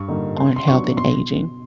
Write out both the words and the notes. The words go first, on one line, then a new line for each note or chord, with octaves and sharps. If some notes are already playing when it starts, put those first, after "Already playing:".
on health and aging
Already playing: G2 C#6
D3 G3 A#3 D#4
C#3 C6
C6
F#3 B3 D4 C#6
B2 C6